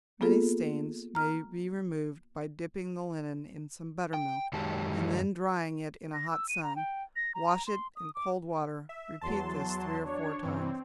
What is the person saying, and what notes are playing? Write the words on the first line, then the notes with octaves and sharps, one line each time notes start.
Many stains may be removed by dipping the linen in some buttermilk, and then drying it in a hot sun; wash it in cold water; repeat this three or four times.
A#3 B3 F4 G#4 A4
A#5 F6
G5
F#2 D#3 F#3 G#3 G4 A5
A#6
E6
D#7
A#5
G5
A#6
A#5
C6
D#6
D6
E5
E2 F#3 A5 C6
D4 C#5
G2 E3 C4